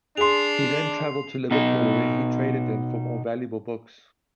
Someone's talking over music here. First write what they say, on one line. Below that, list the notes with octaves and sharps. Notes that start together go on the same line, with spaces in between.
He then traveled to Liverpool where he traded them for more valuable books.
D4 G#4 C6 C7 F7
B2 D#4